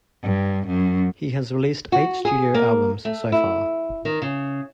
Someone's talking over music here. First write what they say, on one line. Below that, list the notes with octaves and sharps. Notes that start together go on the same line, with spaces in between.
He has released eight studio albums so far.
G2
F#2
F#4
G#4
A#3
A3
E4
D#3
C#3